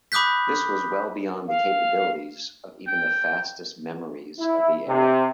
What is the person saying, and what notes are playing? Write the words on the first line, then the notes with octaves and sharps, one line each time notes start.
This was well beyond the capabilities of even the fastest memories of the era.
B5 D6 D#6 F#6 G6 B6
F5
G5
E4
C3